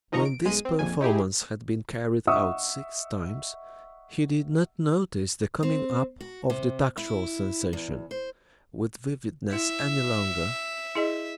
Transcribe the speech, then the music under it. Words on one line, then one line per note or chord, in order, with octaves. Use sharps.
When this performance had been carried out six times, he did not notice the coming up of the tactual sensation with vividness any longer.
D#3 F3 D#5 A#5 C#6
D7
B1 G#3 D#7
C4
A#1 F2 G#5
D#4 E4 G4 G#4
D#5 E5 F#5 C#6 D#6 E6
C4
F#4
C3
E4
E2
C5
E4 E5
E4 G#4 D#5